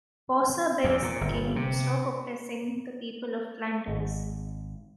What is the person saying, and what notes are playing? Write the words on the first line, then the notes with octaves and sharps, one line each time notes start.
Posa begs the King to stop oppressing the people of Flanders.
E2
A#2
G1
C3
G#1